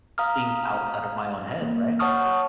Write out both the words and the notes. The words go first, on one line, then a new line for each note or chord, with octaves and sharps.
think outside of my own head," right?
F5 A#5 D#6 F6
A#3
C#5 F#5 A5 C#6 D#6 F6